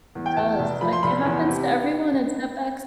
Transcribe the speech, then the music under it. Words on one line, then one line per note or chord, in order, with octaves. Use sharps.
It does, like, it happens to everyone, and setbacks
E2
G5
E2 A5
F1
F3 B5
C6
F1 B5
E2
C3